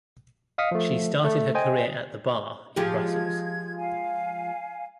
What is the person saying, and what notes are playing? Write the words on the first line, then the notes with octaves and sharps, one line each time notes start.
She started her career at the Bar in Brussels.
D#5 F5 D#6 B6 C#7
F3 A3
A3
C5 D#5 G5 G#5
F3 G#3 G4 G#6
F5 G#5